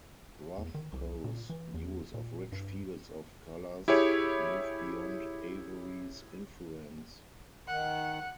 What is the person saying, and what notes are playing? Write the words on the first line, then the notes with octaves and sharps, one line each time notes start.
Rothko's use of rich fields of colors moved beyond Avery's influence.
E2
D#3
C2
A#2
E3
E2
A#2
G2
E4 G4 G#4 C#5
D#3 F#5